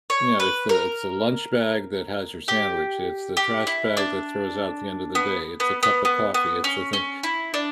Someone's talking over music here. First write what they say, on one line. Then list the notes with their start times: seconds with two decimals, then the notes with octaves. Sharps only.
You know, it's the, it's a lunch bag that has your sandwich, it's the trash bag that throws out at the end of the day, it's a cup of coffee, it's the thing,
0.10 C#5
0.40 B4
0.69 A#4
2.48 G4
3.37 G4
3.67 E4
3.97 D4
5.15 B3
5.60 B3
5.83 B3
6.05 B3
6.34 B3
6.64 C#4
6.93 C#4
7.23 E4
7.54 D4